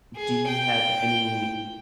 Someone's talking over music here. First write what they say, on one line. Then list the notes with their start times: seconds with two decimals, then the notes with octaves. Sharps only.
Do you have any
0.16 G#4
0.48 G5